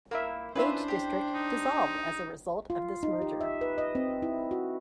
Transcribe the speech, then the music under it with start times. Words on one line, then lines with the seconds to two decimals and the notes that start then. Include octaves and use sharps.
Age District dissolved as a result of this merger.
0.11 A#3 E4 A#4 E5
0.55 C#4 D4 E4 F4 B4 C5 E5
0.88 G4
1.34 D#4
2.70 F4
3.03 D#4
3.22 G4
3.41 E5
3.61 B4
3.78 D#5
3.95 C4
4.22 E4
4.51 F#4